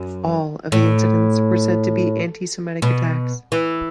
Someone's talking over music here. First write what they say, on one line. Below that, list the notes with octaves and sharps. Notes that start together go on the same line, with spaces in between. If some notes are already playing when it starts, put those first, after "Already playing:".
All of the incidents were said to be antisemitic attacks.
Already playing: F#2
A2
B2
E3